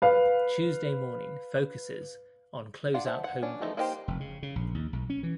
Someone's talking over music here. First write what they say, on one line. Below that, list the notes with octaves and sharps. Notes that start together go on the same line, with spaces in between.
Tuesday Morning focuses on closeout home goods.
B4 F5
D4 F4 F5 F#5
C5 E5 F#5 A5
F#5
C#4 D4
E3 F3 A3 D#4
A#3 D4 D#4 G4 C5
F1
C#3
C#3
A#1
D#2
B1
C#4
E3